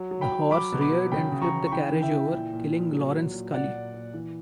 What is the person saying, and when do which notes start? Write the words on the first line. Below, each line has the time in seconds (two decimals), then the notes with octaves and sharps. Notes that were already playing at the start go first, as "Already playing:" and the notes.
The horse reared and flipped the carriage over, killing Lawrence Scully.
Already playing: F#3
0.11 F#3
0.21 G5 B5
0.32 F#3
0.51 F#3 B5 D6
0.72 B2
0.81 B5 D6
0.92 F#3
1.12 C#3 G5 B5
1.32 C#3
1.42 A#5 C#6
1.52 C#3
1.67 C#6
1.72 E3 G5 B5
1.92 E3
2.02 E5 G5
2.13 E3
2.33 A#2
2.53 A#2
2.72 A#2
2.93 F#3
3.13 F#3
3.33 A#2
3.54 A#2 D5 F#5
3.74 A#2
3.94 A#2
4.14 E3